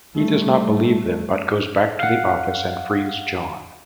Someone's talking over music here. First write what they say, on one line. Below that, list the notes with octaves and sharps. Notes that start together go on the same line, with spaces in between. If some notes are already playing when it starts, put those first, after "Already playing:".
He does not believe them, but goes back to the office and frees John.
G3 A3
F5 F#5